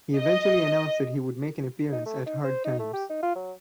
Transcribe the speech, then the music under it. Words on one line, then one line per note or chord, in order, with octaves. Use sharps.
He eventually announced that he would make an appearance at Hard Times.
D#5
D#4
A3
D#4
C5
D#4
A3
G4
D#4
F4
F#3